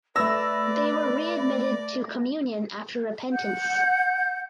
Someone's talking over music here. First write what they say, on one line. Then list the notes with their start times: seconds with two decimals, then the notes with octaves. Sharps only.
They were readmitted to communion after repentance.
0.16 A3 B4 D5 E6 A#6
3.32 F#5 G6